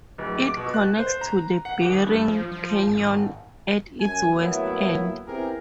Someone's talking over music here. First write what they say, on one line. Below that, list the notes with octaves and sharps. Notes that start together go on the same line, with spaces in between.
It connects to the Bering Canyon at its west end.
D1
D6
B2
F#6
C5
A#5
F#5
D#1
G2
F3
F3
G#1
F#2 G#5
A2 F#3 A#3 B3 E4
B3 C4 E4 G4 G#4 A#4